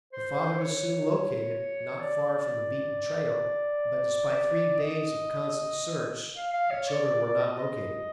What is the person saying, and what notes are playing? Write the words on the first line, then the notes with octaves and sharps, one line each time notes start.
The father was soon located, not far from the beaten trail, but despite three days of constant search, the children were not located.
C5
C5
C#5
D5
D#5
F5
F5
C#5
D5
D5
D5
D#5
D#5